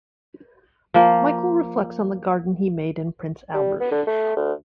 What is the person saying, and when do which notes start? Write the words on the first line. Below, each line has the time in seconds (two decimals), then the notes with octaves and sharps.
Michael reflects on the garden he made in Prince Albert.
0.94 F3 A#3
3.54 G3
3.80 B3
3.91 D3
4.07 A3
4.36 D2